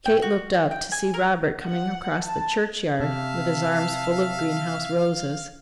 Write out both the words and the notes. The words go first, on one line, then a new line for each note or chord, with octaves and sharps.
Kate looked up to see Robert coming across the churchyard with his arms full of greenhouse roses.
G5
F#4
G5
G#5
A#4
F#5
A5
C3 E5 F5 A5